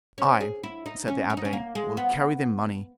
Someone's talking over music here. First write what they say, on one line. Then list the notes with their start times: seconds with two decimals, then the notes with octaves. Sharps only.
"I," said the abbe, "will carry the money."
0.18 C#4
0.41 G#4
0.63 E4
0.86 D#4
1.08 C#4
1.30 C#4
1.37 D#4
1.45 C#4
1.53 A#3
1.75 G#3
1.97 B3